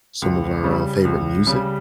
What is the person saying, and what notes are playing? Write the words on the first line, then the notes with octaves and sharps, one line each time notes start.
some of our, uh, favorite music,
C#2
C#3 G3
C#2
C#3 G3